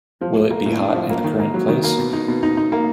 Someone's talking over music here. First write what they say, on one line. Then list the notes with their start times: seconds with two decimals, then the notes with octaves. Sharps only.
Will it be hot in the current place?
0.21 F3
0.36 F3
0.51 A#3
0.66 A2
0.80 D4
0.95 F3
1.10 A#3
1.24 D#3
1.39 A#3
1.54 F#3
1.68 D#3
1.84 A#3
1.99 B2
2.13 D#4
2.28 B2
2.43 D#4
2.57 D#4
2.72 A#3